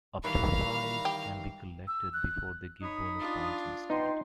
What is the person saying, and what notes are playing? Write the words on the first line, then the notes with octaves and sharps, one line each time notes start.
Up to five can be collected before they give bonus points instead.
D#3 E3 G3 F5 A#5 B5
G4
E6
F#6
D#4 C#5 B5 D#6
D4 F4
B3 D#4 G5 C6